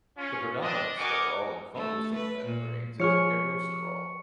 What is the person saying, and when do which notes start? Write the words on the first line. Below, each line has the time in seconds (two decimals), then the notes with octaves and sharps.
The predominant sterol in fungal cell membranes is ergosterol.
0.17 C#4 F4
0.61 C4 D4 D#5
0.97 F#4 A#4 D#5 G#5 C#6 D6
1.75 A3
2.15 B4
2.44 A#2
3.00 F3 G#4 C#5 C#6 F6 C#7